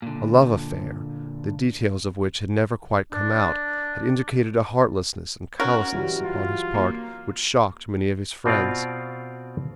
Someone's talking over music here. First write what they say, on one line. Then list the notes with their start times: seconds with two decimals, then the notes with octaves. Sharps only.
A love-affair, the details of which had never quite come out, had indicated a heartlessness and callousness upon his part which shocked many of his friends.
0.02 A#2 D3
3.12 D4
5.60 C#4 F#4 A#4
5.92 E3 F#3 G3
6.25 F4
6.74 A#3
8.46 B2 C4 F4 D5 F5